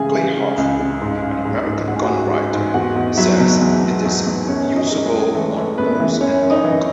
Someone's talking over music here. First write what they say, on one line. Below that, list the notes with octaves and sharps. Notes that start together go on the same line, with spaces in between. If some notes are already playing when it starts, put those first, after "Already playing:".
Clay Harvey, an American gun writer, says it is usable on moose and elk.
Already playing: C#3 E3 G#3 E4 G#4 G#5
E3
C#3
C#2
C#3
G#2
G#2
G#2
G#2
G#2 F#5
G#5
F#4 F#5
G#2
G#3
G#2
E2 F#4 F#5
E2
F#3 E4 E5
B2
E2
E2
E2
E2
F#2 C#4 C#5
F#2
D#4 D#5
G#3
G#3 G#4
F#2
E3 A3 A4
E3
F#2 B3 B4
E3
F#2 C#4 C#5
F#2
D#4 D#5
E3